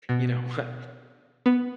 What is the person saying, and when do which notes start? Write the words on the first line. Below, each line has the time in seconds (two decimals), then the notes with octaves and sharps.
you know what,
0.09 B2
1.46 B3